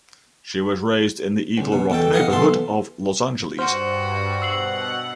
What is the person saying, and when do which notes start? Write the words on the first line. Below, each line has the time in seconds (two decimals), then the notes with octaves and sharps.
She was raised in the Eagle Rock neighborhood of Los Angeles.
1.58 C#2
1.72 B2
1.90 E2 B2 A4 G5
2.13 D#4 D#5 F5 F#5
2.30 B1 E3 A4 C6
3.59 G2 F#4 C5 F6
4.42 B2 F#5 E6 C7 F#7